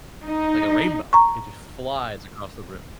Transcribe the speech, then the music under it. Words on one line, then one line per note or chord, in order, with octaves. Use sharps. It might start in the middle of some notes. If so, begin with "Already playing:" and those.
like a rainbow, it just flies across the room.
D#4
A#5 C#6